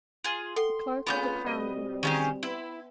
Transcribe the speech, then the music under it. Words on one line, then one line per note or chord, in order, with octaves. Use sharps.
The Clerk of the Crown arose.
F4 G#4
A4 F#5 G5 C6
A3 B3 C#4 F4 G#4 D6 G6
B2 G3 C4 D#5
D3 C#4 F4 G4 G#4
B3 E4